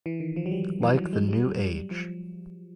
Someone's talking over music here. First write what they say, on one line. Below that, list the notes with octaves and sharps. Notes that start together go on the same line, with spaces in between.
Like the New Age.
E3
D#3
F3
F#3
G3
E3
F#3
G#3
G3
F#3
G3
G3
F3